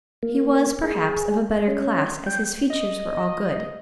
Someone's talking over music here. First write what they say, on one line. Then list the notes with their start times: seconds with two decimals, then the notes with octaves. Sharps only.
He was, perhaps, of a better class, as his features were all good.
0.23 A#3
0.83 G#4
1.68 C#4
2.26 G5
2.70 D#5